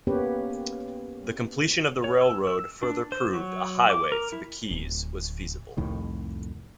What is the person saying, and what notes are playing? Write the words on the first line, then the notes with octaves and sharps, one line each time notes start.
The completion of the railroad further proved a highway through the keys was feasible.
A#3 B3 C#4 G4 B4 C#5
C#5
E6
E6
D4
C5
F#3
D6
A#4
E4
D1
C2 F2 A2 D#3